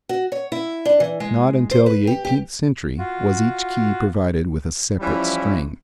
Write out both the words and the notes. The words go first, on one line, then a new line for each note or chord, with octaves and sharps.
Not until the eighteenth century was each key provided with a separate string.
F#4
C#5
E4
D4
E3
G#3
C5
B4
G4
G4
F4 F#4
E3 F3 G3 C#4 E4